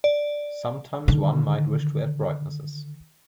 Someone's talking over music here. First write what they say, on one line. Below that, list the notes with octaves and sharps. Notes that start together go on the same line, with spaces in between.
Sometimes one might wish to add brightnesses.
D5
D3 D#3